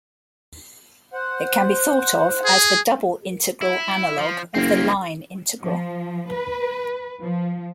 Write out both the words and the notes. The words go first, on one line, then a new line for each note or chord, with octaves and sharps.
It can be thought of as the double integral analog of the line integral.
C5 F#5
G#4
E4
F3
F#1 A#3 C4
F3
B4
F3